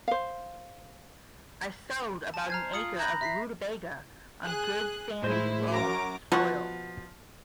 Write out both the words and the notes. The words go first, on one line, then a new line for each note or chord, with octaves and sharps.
I sowed about an acre of rutabaga on good sandy loam soil.
C5 F5
G#5 A5
C5 A#5 F6 G#6
F4 D#6 C#7 F#7
A#5 B5 F#6 G6
E5 B6 C7
G#4 F#6
A2 G#3 E4 C5
F#2 A#5 D6
B2 F3 F#5 C#6